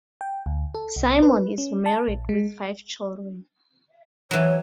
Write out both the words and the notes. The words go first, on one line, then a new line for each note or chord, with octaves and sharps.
Simon is married with five children.
G5
D2
A4
C2
B4
C#4
A5
A#1
G#3
E3 F#3 C#5